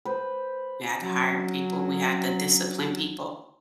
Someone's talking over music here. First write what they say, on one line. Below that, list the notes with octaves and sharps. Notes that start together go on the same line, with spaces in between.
we had to hire people, we had to discipline people,
B4 C5
F#3 C#4